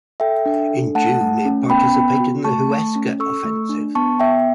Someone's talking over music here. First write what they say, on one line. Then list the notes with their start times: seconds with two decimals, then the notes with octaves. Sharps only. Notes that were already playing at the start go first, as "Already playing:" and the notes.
In June it participated in the Huesca Offensive.
0.20 A4 E5 G5
0.46 D4
0.70 A4
0.95 A3 F#5 A5
1.21 A3
1.45 C#4
1.70 B3 G5 B5
1.95 B3
2.20 F#4
2.45 A3 A5 C#6
2.70 A3
2.96 C#4
3.20 A4 C#6 E6
3.45 A3
3.69 D4
3.95 B3 A5 C#6
4.20 B3 E5 G5